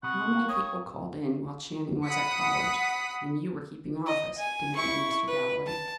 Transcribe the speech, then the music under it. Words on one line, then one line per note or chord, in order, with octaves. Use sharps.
"How many people called in, while Channing was at college, and you were keeping office?" demanded Mr. Galloway.
C3 F#5 B5 C#6 D#6
A#4 F5 G5
C#5 D#6
F#5 B5 D#6 B6 C#7
D#5
G#5
E4 C#6
B4
A5